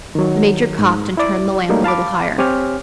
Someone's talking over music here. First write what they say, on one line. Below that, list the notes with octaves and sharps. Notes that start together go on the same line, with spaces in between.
The Major coughed and turned the lamp a little higher.
D#3 F#3
G#2
E4 D5
F#3 G3 A3 A#3 D#4
F5 A5 B5 D6
C4 G4 C#5 G#5 F6